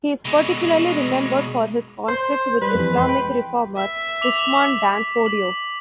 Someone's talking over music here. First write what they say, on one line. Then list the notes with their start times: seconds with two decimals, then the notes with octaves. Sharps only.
He is particularly remembered for his conflict with Islamic reformer Usman dan Fodio.
0.25 B2 G#3
2.09 C5 C6
2.62 G3 B4
2.75 F2 E3
2.93 G#3 C6
3.09 G5
3.76 E5
4.21 D6 F7 F#7
4.94 B6
5.26 F#7